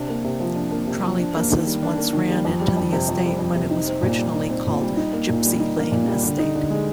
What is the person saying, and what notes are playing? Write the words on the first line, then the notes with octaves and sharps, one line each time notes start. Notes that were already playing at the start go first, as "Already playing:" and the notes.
Trolleybuses once ran into the estate when it was originally called Gypsy Lane Estate.
Already playing: C3 D4
A#3
C3
F3
D4
A#3
C3
F3
D4
A#3
D#3
G3
D4
A#3
D#3
G3
F2
G3
F2
C3
F2
G3
F2
C3
D#4
C4
A#2
G3
D#4
C4
A#2
G3
D#4
A#3
A#2
G3
D#4
A#3
A#2
G3
D3
D#4
D3
G#3